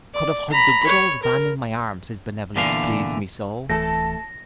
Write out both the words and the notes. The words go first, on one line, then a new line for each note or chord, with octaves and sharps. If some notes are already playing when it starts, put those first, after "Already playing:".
I could have hugged the good old man in my arms, his benevolence pleased me so.
D5
A#5 B5
C#5
A#4
E2 A#2 D3 E3 F5
D1 E3 A3 A4 A5 A#6